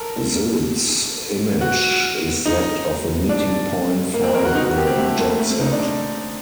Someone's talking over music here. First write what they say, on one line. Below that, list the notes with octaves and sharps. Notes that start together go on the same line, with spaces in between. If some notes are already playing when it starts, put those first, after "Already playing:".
Sylt's image is that of a meeting point for the jet-set.
Already playing: A4 A#4
F#4
D#4
D4
A#3
C4
A#4
F#4
D#4
F#4
G4
C4
A3
A3
A#3
A#3
A3
C4
D#4
D4